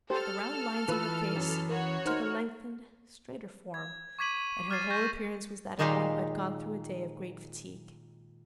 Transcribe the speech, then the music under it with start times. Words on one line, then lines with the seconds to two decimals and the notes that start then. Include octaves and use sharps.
The round lines in her face took a lengthened, straighter form, and her whole appearance was that of one who had gone through a day of great fatigue.
0.10 G4 A4 C5 F6
0.88 E3 F4 B4 E6
1.36 F#2 C#4
1.69 F#4 A#4 C#5
2.06 D#4 A#4 C5 F6
3.74 G#6
4.19 C#6 D6 G#6 B6 D#7 F#7
4.70 D6 F6 G#6 A6 C7 D#7
4.90 C#6 G6 A#6
5.79 A#2 D#3 G#3 D#4 G4 F5